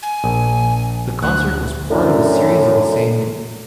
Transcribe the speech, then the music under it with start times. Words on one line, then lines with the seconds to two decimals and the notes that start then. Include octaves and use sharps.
The concert was part of a series of the same name.
0.03 G#5
0.24 A#1
1.23 D2 F#6
1.90 F#2 A2 D3